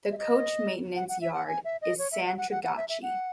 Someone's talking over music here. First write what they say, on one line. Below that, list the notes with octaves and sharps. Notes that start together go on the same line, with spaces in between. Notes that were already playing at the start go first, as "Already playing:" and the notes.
The coach maintenance yard is in Santragachi.
E5
D#5
F#5
F#5
E5
F#5
G#5
E5
D#5
C#5
E5
F#5
F#5
F#5
F#5
E5
E5
F#5